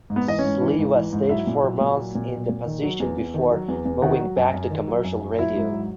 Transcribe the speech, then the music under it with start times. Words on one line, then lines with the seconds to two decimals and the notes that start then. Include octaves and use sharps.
Sliwa stayed four months in the position before moving back to commercial radio.
0.10 G#2
0.16 B3 B4
0.27 E3 D#5
0.39 C#4 C#5
0.45 G#2
0.61 E3
0.79 G#2
0.95 E3
1.13 G#2
1.29 F#3 E4 E5
1.47 A#2
1.64 F#3
1.81 A#2
1.97 F#3
2.15 A#2
2.32 F#3
2.49 A#2
2.66 D#3
2.83 F#3
3.00 E2
3.18 E2
3.34 D#3
3.51 F#3
3.68 E2
3.85 E2
4.02 D#3 F#4 F#5
4.19 F#3
4.36 F#2
4.54 F#2
4.71 D#3
4.88 F#3
5.04 F#2
5.21 F#2
5.39 F#3 E4 E5
5.56 G#2
5.72 F#3